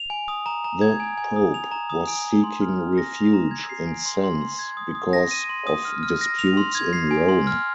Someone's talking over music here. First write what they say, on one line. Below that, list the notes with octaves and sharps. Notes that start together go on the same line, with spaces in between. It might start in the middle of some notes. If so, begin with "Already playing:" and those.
The Pope was seeking refuge in Sens because of disputes in Rome.
Already playing: F7
G#5
D#6
A#5
A#5
G#6
G#5
G#5
D#6
F7
A#5
D#6
G#5
G#5
C6
F6
F6
A#6
F7
A#5
G#6
C7
G#5
C6
C6
C6
G#6
D#6
D#6
A#6
D#7
C6
D#6
F6
F6
A#6
F7
C6
G#6
C7
G#5
C6
F6